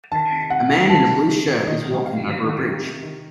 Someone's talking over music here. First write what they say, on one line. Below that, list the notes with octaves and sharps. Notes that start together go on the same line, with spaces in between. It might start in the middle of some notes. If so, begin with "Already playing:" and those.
A man in a blue shirt is walking over a bridge.
D#3 A5
C3
C3 F#5
D#3
D#3 A5
C3
C3
D#3
D#3 D#5
C3
C3 F5
D#3
D#3
C3
C3
D#3